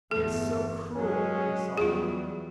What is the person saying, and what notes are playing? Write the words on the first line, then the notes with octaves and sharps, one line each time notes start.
"He is so cruel!" he sobbed.
G1 E2 A3 A4
F#3 G#3 C#4
E2 F#3 G3 F4 G#4